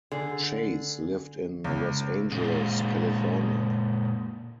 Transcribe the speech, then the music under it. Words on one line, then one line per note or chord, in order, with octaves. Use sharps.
Chase lived in Los Angeles, California.
D3 G#4
C#2
A#2 G#3